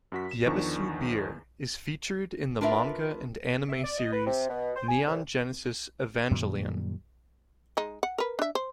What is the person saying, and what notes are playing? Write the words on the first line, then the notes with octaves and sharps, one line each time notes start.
Yebisu Beer is featured in the manga and anime series "Neon Genesis Evangelion".
F#2 F#4 B6
E7
E2 D#3 F3 D4 C#6
D4 F4 A#4 B4 D#5 E5
E5
D5
D#5
B4
C3
B2
C5
G#5
C2
F#2 A#2 D#3 G3
G#3 D#4
F#5
A#4 B4
D4 E5
C5